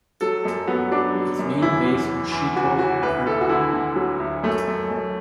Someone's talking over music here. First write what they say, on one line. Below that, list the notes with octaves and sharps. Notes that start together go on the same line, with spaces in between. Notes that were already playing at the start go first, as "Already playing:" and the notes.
Its main base was Schiphol Airport.
F#3 A4
F#2 A4
F#3 B3
F#3 D4
F#3
F#2
E2 E4
E2
E2
E2
E2 F#4
E3 F#4
D2 B4
D2 A4
F#4
D3 E4
D3
F#3
D2
F#2 A3
F#2
F#2